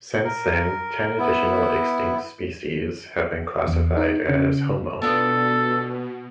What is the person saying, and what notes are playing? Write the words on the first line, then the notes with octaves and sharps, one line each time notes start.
Since then, ten additional extinct species have been classified as "Homo".
A#4
B3 E4
E2
D#4
C#3
B2 B3 D4 F4 A4